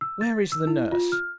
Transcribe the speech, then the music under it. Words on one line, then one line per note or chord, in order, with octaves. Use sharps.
'Where is the nurse?
E6
A6
E6
E4
F4
F6